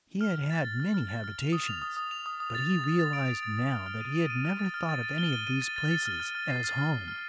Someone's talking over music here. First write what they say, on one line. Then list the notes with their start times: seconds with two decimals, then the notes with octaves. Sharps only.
He had had many habitations, but he realized now that he had never thought of any of these places as home.
0.21 F6
0.35 F6
0.51 A6
0.65 A6
0.80 F6
0.94 F6
1.09 A6
1.24 F6
1.38 F7
1.53 D#6
1.67 F7
1.82 D#6
1.97 D#6
2.11 F7
2.26 D#6
2.40 D#6
2.55 A6
2.70 F7
2.84 A6
2.99 A6
3.13 D7
3.28 A6
3.43 A6
3.57 A6
3.72 F6
3.86 F6
4.01 D#7
4.16 D#7
4.30 D#7
4.45 F6
4.59 A6
4.74 F6
4.89 A6
5.03 A6
5.18 G7
5.33 D#7
5.47 D#7
5.62 A6
5.76 A6
5.91 A6
6.06 F6
6.20 F6
6.35 F6
6.50 C7
6.64 F6
6.78 F6
6.93 F6
7.08 F6